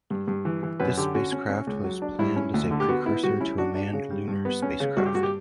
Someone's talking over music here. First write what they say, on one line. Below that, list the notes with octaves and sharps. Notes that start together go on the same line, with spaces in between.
This spacecraft was planned as a precursor to a manned lunar spacecraft.
G2
G2
E3
E3
F#2 B4
D3 G4
C#4 F#4
C#4
C#4
C#2
F#3
D4
G2 E4
C#4
D2
D3
G4
B3 F#4
B3 E4
G3 F#4
C#4 E4
D4 F#4
D4
C#3
G3
G2
B3
C#4
C#3
G2 F#4
G4
G2 F#4
G4